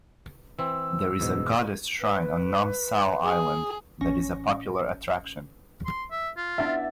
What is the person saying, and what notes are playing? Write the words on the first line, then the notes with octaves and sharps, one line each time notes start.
There is a goddess shrine on Nom Sao Island that is a popular attraction.
E3 C4 E6
E2 G#2 B2
B4
G#4
A1 C#4 C#6 A#6
C6
E5
F4
B3 D4 E4 E5 A6